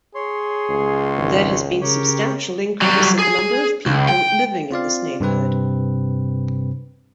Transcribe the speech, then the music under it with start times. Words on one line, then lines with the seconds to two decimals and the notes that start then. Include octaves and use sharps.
There has been substantial increase in the number of people living in this neighborhood.
0.15 G#4 C#5 C6
0.70 C#2
1.17 G#1
1.81 C#3 G4 A#4 C#5 G5
2.82 F#3 G3
3.19 G#4
3.86 C#2
4.09 G5
4.71 C4 F4 D5 F5
5.20 G2 C3 C4 B4